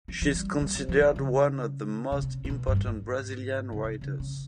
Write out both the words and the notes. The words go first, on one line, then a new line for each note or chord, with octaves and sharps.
She is considered one of the most important Brazilian writers.
F3
F3
G3
G3
F#3
F3
E3
C#3
C#3
C3
C3
B2
G2
G#2
C#3
C3
C#3
C#3